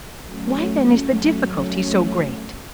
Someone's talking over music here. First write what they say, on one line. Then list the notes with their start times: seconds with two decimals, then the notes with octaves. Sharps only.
"Why then is the difficulty so great?"
0.24 F#3 A3 C#4